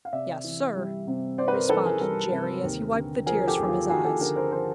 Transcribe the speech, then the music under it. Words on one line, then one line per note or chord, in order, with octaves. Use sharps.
"Yes, sir," responded Jerry, as he wiped the tears from his eyes.
F5
C3 D5 E5
E3
G3
C3
C3 C5 D5
B4
A#4 C5
E3 A4 B4
G#4 A#4
G3 G#4 A#4
C3
D#2
D3
F3 G#4 A#4
G4 A4
D#2 G#4
F4 G4
D#2 F#4 G#4
G4 A4
D3 G#4 A#4
A#4 C5
F3 A#4 C5